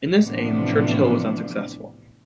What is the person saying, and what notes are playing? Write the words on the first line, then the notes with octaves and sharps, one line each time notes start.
In this aim, Churchill was unsuccessful.
A2 C3 E3 F3 B3 D4